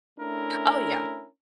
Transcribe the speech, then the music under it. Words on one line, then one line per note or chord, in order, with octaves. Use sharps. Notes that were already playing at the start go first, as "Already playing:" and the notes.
Oh, yeah.
A3 C#4 D4 E4 A#4